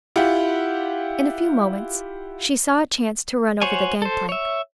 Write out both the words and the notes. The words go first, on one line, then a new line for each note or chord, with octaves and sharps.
In a few moments she saw a chance to run over the gangplank.
E4 F4 G4 F#5
F#4 C5 C#5 G#5
A4 C5
C#5 E5